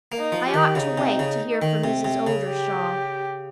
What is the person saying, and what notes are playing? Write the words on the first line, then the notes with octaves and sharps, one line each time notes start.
I ought to wait to hear from Mrs. Oldershaw.
A#3
D#4
F3
G4
D#3
C#3 D#4
C3
C#3
D#3
C3
C3
C#3
G4